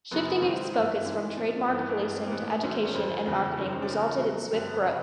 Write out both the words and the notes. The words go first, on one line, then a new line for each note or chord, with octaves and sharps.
Shifting its focus from trademark policing to education and marketing resulted in swift growth.
F#2 C#3 F#3 B3
B3
G#2 D#3 F#3 C4
G2 E3
G#2 E3
A#2 F3
G2 E3 C4
B3
A#3
G2 E3 B3
C4
A#3
A2 E3 B3
G#2 D#3 F#3
C#4
F2 D3 F3 C4
E2 C#3 F3
F#2 D#3 F#3 C#4
C4
C#4
D4
E2 C#3 F3 C#4
A#2 F#3
G2 D3 F#3 C4
B3
C#3 F#3 C4